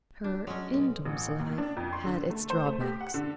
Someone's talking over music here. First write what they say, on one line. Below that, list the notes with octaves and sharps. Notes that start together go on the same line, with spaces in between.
Her in-doors life had its drawbacks.
D4
F#3 G#3 C#4
B1
A1
D#2
D4
F2
C6
D3
A3
C5
A3
G4
F#5
D3